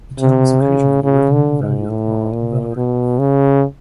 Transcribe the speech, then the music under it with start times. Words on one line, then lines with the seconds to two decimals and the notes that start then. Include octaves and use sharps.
The term is occasionally written "valure" or "valoring".
0.19 C3
0.61 C#3
1.04 C#3
1.33 D3
1.61 G#2
1.89 A2
2.33 A#2
2.76 B2
3.19 C#3